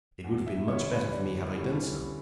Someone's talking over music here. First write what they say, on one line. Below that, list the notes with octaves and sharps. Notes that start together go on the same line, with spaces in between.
It would have been much better for me had I done so.
E2
E5
D3 G3 C#4 E4 C#5
B4
E2 D5
D3 G3 C#4 E4